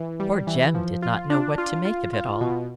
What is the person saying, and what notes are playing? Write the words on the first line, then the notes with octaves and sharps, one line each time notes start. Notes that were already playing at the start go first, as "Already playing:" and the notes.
Poor Jem did not know what to make of it all.
Already playing: E3
G3
E3
F3
F4
D4
F4
F4
F4
B2